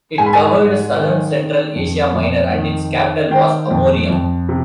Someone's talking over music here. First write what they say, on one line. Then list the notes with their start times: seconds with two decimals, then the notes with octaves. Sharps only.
It covered southern central Asia Minor, and its capital was Amorium.
0.18 G#2 G#5
0.26 B5
0.33 G#5
0.58 G#2
0.97 D#3
1.36 D#3
1.76 F2
2.14 F2
2.53 D#3
2.92 D#3
3.31 D#3 G5
3.71 F2
4.10 F2
4.49 C3